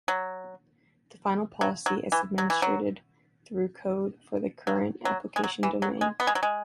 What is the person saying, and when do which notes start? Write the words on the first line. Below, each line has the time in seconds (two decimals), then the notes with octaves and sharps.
The final policy is administered through code for the current application domain.
0.08 F#3
1.61 F#3
1.86 F#3
2.12 E3
2.38 F#3
2.50 E3
2.62 F#3
4.67 F#3
5.05 F#3
5.36 G#3
5.44 F#3
5.63 E3
5.82 F#3
6.01 G#3
6.20 B3
6.27 G#3
6.35 F#3
6.43 G#3